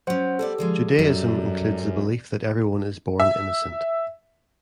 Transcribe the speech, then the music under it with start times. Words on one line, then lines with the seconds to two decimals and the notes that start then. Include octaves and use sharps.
Judaism includes the belief that everyone is born innocent.
0.07 F#3 C#4 C5 F#5
0.39 G3 B3 G4 A4 D5
0.58 D3 F3 G#3
0.99 F#2 G3
3.20 E5